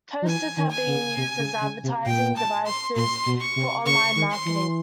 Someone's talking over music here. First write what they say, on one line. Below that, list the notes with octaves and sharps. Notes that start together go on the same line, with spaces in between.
Toasters have been used as advertising devices for online marketing.
F3
E3 G#5
D#3
G#5
C#3
C3
C#3
C#3
C3
A#2 G5
A5
C6
A#2 C6
B2
C#6
C3
C#3 C#6
D#3
C6
E3